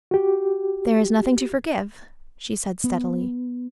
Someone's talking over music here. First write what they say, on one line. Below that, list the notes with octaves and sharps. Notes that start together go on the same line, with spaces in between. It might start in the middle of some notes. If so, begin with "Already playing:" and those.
"There is nothing to forgive," she said steadily.
F#4 G4
B3